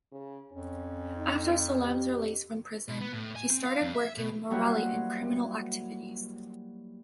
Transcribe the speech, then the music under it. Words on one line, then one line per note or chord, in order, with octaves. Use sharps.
After Salemme's release from prison, he started working with Morelli in criminal activities.
C#3
F2 C#4
D#4
G4
B2
B3
A2
G#5
C4
F5
F2
E5
B2
F#3 G3 A#3 E4 F#4 C5